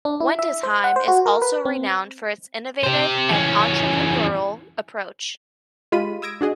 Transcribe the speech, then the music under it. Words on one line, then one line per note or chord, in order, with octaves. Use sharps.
Windesheim is also renowned for its innovative and entrepreneurial approach.
D4
E4
E5
C5
F#5
C5
F#4
A#4
B4
C4
G4 C5
E2 C#4
G#3 F4 G4 B5 D#7
D#6 E6 G#6 A#6 D7
D4 F#4 G#4 D#5